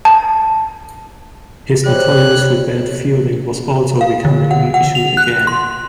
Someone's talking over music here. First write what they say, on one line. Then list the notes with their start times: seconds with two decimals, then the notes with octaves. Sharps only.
His notoriously bad fielding was also becoming an issue again.
0.05 A5
1.86 D#3 F3 G3 C4 C#5 F#6
4.01 F5
4.25 D3
4.51 F#5
4.74 F#5
4.95 F7
5.17 F#6
5.47 C6